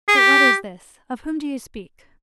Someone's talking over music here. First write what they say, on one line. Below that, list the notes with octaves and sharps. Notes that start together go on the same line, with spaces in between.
'But what is this?--of whom do you speak?'
G#4
G4